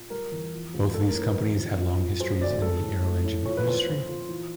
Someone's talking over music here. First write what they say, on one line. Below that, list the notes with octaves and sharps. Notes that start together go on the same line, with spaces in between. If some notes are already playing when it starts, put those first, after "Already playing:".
Both of these companies had long histories in the aero-engine industry.
Already playing: A#2
G3 A#4
E2
F3
C#2
A3 A4
A#4
A2
B4
E3
F2
A#2
A#2
F#3 C5
D2 D5
G#3 A4
A2
A3
A2
F3 C#5
B4
F2 C5
A#2
A#2
E3